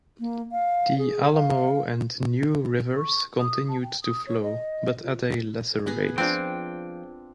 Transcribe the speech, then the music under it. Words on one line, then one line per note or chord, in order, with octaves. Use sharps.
The Alamo and New Rivers continued to flow, but at a lesser rate.
A#3
F5
G#4
F5
C#6
D#6
A5
G5
D#6
C#5
D#5
F4
B3 G#4
F3 C4 D4 F4 G5